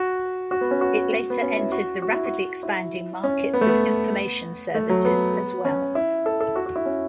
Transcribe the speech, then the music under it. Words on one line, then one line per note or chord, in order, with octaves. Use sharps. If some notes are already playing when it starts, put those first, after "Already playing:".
It later entered the rapidly expanding markets of information services as well.
Already playing: F#4
F#4
B3
C#4
F#4
B3
C#4
E4
F#4
F#4
E4
F#4
E4
C#4
B3
A3
B3
A3
F#3
B3
C#4
E4
A4
A4
F#4
F#4
E4
C#4